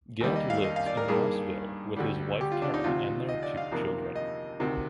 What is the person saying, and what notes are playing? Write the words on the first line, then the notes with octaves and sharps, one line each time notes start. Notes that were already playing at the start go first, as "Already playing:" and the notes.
Gant lives in Rossville with his wife Karen and their two children.
D#2 D#3 G3 A#3
D#5
F5
D#5
F5
D5
A#4
G2 D#3 A#3 G#4
D2 D3 G3
G4
F4
D4
D#4
D2 C3 F3 F4
D#5
D5
F5
F2 C3 D#3 A#3
D#5
D2 C3 D#3